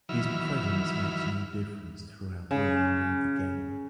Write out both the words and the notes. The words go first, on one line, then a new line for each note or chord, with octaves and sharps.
His presence makes no difference throughout the remainder of the game.
D#3 E3 F#3 E5 B5 F6
C#3